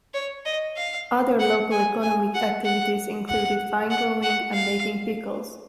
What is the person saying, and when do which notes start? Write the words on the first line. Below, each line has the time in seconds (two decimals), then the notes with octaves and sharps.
Other local economic activities included wine growing and making pickles.
0.14 C#5
0.45 D#5
0.76 F5
1.40 F#5
1.72 G#5
2.02 G#5
2.35 F#5
2.65 F#5
3.29 F#5
3.90 F#5
4.23 F#5
4.53 F5